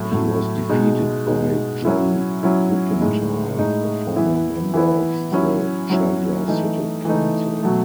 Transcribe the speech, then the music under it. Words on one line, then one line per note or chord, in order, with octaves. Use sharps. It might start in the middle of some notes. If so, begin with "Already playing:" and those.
He was defeated by John Huppenthal, a former member of the Chandler City Council.
Already playing: A2 F#3 A3
A2 F#3 A3
B2 G#3 D#4
B2 G#3 D#4
F#3 C#4 E4
F#3 C#4 E4
A2 G#3 D#4
A2 G#3 D#4
E3 B3 E4
E3 B3 E4
F#3 C#4 E4
F#3 C#4 E4
E3 A3 D#4
E3 A3 D#4
B2 F#3 A3